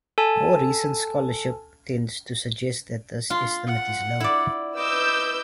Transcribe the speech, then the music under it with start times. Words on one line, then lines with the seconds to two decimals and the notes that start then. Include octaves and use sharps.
More recent scholarship tends to suggest that this estimate is low.
0.18 A4 G#5 A5
3.30 F4 C6
3.67 F#5
4.20 E4 D5
4.76 B4 D#5 D6 E6 G6